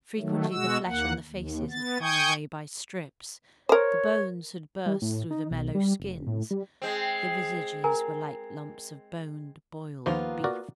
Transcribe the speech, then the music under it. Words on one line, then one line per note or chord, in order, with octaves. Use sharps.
Frequently, the flesh on the faces had gone away by strips, the bones had burst through the mellow skins, the visages were like lumps of boned, boiled beef.
D#3 F#3 A3
B2 G#3 F#4 E6
D#2 A#3 F#5
D#2
B3 A6
G5 G#5 C#6 D#6 G6 G#6
A#4 C5 C#5
G3
A2
D#4
B1
G3
F1
A2
G3
G#3 C4
A#4 G#5 A#5
D#2 F3 A#3 B3 F4 C5
F#4 A#4 D5